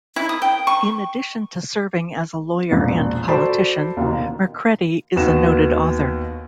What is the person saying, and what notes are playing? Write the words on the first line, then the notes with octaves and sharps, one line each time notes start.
In addition to serving as a lawyer and politician, Mercredi is a noted author.
E4
D#6
G5
C#6
E1 A#1
F#4 A4 C5 D5 A5 B5
D#2 B2 D#3
D#2 B3 D#4 F#4 E7